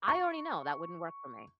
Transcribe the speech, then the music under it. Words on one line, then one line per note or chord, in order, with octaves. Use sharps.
I already know that wouldn't work for me.
C#6